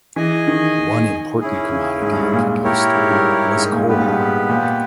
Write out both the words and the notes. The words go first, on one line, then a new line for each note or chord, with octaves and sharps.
One important commodity it produced was coal.
E3 G#4 D#5 G#5
D#3
C#4 E4 G#4
C#3
G#2
G2
G#2
A#2
E4 G4 A#4 C#5
G#2
G2
G#2
A#2
G2 B3 G4 B4
A#2
G#2
G2
G#2
A#2